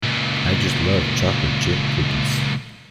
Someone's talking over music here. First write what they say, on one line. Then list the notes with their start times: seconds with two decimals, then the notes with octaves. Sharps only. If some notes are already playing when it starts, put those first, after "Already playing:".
I just love chocolate chip cookies.
0.04 C#2 A#2